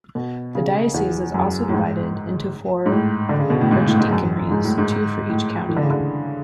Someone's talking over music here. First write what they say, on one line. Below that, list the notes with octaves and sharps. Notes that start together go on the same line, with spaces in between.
The diocese is also divided into four archdeaconries, two for each county.
B2
C#3
E2
F#2
A2
G#2
G#2
A2
D3
C#3
B2
A2
G#2
A2
G#2
F#2
G#2
A2
G#2
A2
E3
D3
C#3
D3